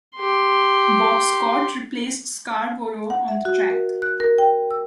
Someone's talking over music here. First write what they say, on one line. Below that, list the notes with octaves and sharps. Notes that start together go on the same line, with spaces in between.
Bob Scott replaced Scarborough on the track.
G4 C6
F#5
E5
F#4
A#4
F#6
A#4
G5
E6